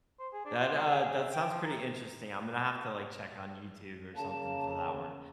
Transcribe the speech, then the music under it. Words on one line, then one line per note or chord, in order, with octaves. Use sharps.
that, uh, that sounds pretty interesting, I'm gonna have to, like, check on YouTube or something for that one,
C5
G#4
D4
F4
G#3
G#4
G#4
E5
G5
F3
A#4
C#3 A#3 A5